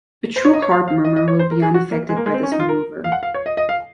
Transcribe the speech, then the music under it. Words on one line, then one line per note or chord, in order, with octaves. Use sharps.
A true heart murmur will be unaffected by this manoever.
C5
C#5
D#5
C#5
F5
F5
D#5
D#5
C#5
C5
A#4
G#4
F#4
A#3
G#3
A#3
G#3
C4
C#4
D#4
F4
A#4
F5
F#5
F5
C#5
D#5
D#5
F5